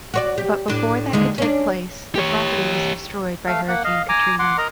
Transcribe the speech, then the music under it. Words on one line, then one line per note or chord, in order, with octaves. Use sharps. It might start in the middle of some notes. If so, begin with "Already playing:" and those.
But before that could take place, the property was destroyed by Hurricane Katrina.
F#4 C#5 D5
G4
A2 D4
D#2 D3 G#3
C#4 D4
G4 C#5
A3 F5
A#3 F#5
D#5 F5
G#5 A#5 D6
F#5 C6 D6
A#4 D#5 A#5